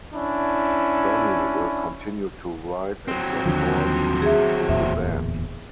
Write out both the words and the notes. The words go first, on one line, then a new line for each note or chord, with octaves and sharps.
Donnie will continue to write and record with the band.
C#4 D4 E4
F#3 C4
D#2 D3 F3
G#4 E5
D1 E2 A#2 E5